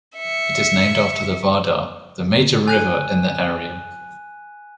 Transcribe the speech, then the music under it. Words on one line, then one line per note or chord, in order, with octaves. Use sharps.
It is named after the Vardar, the major river in the area.
E5 C#7
G#5 F#6 D#7